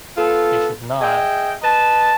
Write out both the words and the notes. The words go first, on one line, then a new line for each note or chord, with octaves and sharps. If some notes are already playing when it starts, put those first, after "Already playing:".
they should not
B3 F4 A4
G#4 D#5 E5 G5
B4 D#5 A5